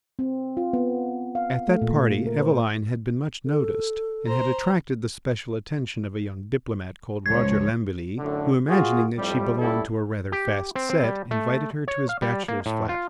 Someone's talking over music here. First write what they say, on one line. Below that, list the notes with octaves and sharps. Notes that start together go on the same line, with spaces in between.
At that party Eveline had been much noticed and had attracted the special attention of a young diplomat called Roger Lambilly who, imagining that she belonged to a rather fast set, invited her to his bachelor's flat.
C4
F4
B3
F5
A3
A#2
A#4
C5
A4
C5 A#5
C#2 F3 G#3 C#5 G#6
F#2 A2 D3
A#2 F4 F#4 G#4
F2 A2 G3
C#2 A2 G3 E4 A4
G4
C4
C4
G3
A3
C#5
F5
G3
A#3
A2
F4